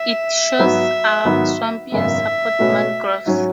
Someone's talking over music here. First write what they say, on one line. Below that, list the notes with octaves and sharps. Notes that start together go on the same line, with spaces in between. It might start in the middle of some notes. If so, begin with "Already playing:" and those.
Its shores are swampy and support mangroves.
Already playing: E5
G#2 F#3 B3 F#4 B4
G#2 D#3 F#3 B3
G#1 F#2 C#3 G#3 B3 E5
B2 A3 C#4 F#4 B4
G#2 F#3 C#4